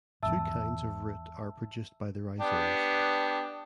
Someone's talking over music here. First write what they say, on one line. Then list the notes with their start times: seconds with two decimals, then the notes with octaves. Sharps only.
Two kinds of root are produced by the rhizomes.
0.23 G#1 E2 E5 A5 E6
2.40 B3 D4 G4